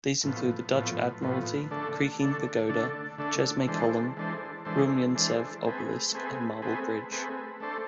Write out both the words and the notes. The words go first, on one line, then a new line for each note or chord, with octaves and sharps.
These include the Dutch Admiralty, Creaking Pagoda, Chesme Column, Rumyantsev Obelisk, and Marble Bridge.
A2 F3 B3
A2 F3 B3
A2 F3 B3
D3 A3 D4 A4
D3 A3 D4 A4
D3 A3 D4 A4
D3 A3 D4 A4
E3 G#3 D4 A4 C5
E3 G#3 D4 A4 C5
E3 G#3 D4 A4 C5
E3 G#3 D4 A4 C5
A3 C4 G#4 B4
A3 C4 G#4 B4
A3 C4 G#4 B4
A3 C4 G#4 B4
A3 D4 A4 C5